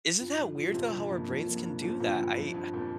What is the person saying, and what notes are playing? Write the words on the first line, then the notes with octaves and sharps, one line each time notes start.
isn't that weird, though, how our brains can do that, I
G2 F4
F3
F3
C3
F2 A#2 F4
G2 C3 F3
G2 A#3
F2 F3
A#3
G2
F4
F2 A#2 F3
A#2 D3 F3
G2 F4
F2 F3
G2 F3
F2 A#2 F3